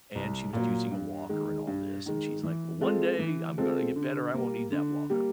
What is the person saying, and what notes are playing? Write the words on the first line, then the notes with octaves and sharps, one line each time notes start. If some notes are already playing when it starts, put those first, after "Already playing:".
and she was using a walker and all this, and she's like, "Well, one day I'm gonna get better, I won't need that walker."
C2
A#2 F#3
G2
D#3 G#3
G2
D#3 G#3
E3
G#3 C4 F4 A4
E3
G#3 C4 F4 A4
D3
G3 A#3
D3
G3 A#3